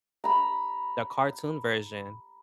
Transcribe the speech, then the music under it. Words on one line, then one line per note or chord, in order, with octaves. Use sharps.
the cartoon version,
A#5 B5